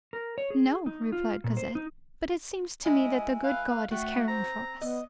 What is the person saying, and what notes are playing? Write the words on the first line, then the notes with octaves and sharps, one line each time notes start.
"No," replied Cosette, "but it seems to me that the good God is caring for us."
A#4
C#5
G#4
D#4
F4
A#2
C5
D#4
G#3 E4 D#5 G#5
B4 E5 F5
F5
A3 F#4 F#5 G5
C4 C5 A#5
B3 D#5